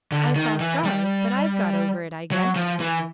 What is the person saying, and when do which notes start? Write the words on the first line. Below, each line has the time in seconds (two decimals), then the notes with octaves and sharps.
I saw stars, but I've got over it, I guess.
0.12 D3
0.36 D#3
0.60 E3
0.85 G3
2.31 F#3
2.56 F3
2.80 E3